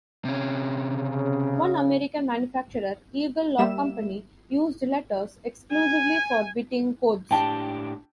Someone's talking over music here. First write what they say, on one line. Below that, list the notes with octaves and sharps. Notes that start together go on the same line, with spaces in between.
One American manufacturer, Eagle Lock Company, used letters exclusively for bitting codes.
C3 C#4
C#3
G3 A#3 E5 E7
G#5
A2 D4 G4 G5 A5